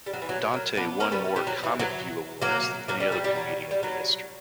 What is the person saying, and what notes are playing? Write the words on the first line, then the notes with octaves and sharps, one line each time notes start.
Dante won more "ComicView" awards than any other comedian in history.
G3
F#3
E3
F#3
F#3 A#3
B3 D4
A#3 C#4
G3 B3
G3
F#3
E3
F#3
F#3 A#3
F#3 A#3
G3
G3
G3
F#3
G3
F#3